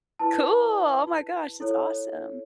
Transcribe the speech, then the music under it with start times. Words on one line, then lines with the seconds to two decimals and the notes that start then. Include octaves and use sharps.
Cool! Oh my gosh. That's awesome.
0.19 E4 B4 A5
1.60 E4 A4 C#5